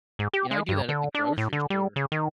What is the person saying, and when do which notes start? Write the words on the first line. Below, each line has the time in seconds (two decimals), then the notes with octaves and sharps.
You know, I do that at the grocery store.
0.19 G#2
0.33 G4
0.51 G#3
0.69 G2
0.89 D3
1.15 D4
1.38 A2
1.53 D3
1.70 G3
1.96 C#3
2.12 D#3